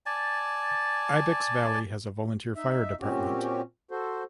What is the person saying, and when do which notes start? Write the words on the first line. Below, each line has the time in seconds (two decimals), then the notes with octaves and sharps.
Ibex Valley has a volunteer fire department.
0.06 D5 G#5 A5
2.56 D#4 E5
3.01 A#2 C4 C#4 F#4 G4
3.91 F#4 A4 C5